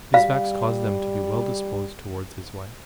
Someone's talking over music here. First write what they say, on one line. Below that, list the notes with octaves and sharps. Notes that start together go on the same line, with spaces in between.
These facts caused them to be well disposed towards his wife.
G3 F5